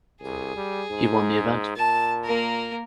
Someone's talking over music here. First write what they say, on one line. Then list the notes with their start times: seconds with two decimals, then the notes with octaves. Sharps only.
He won the event.
0.22 C2 G#4
0.56 G3
0.90 G#2
1.77 A#2 A5
2.24 A#3 A#4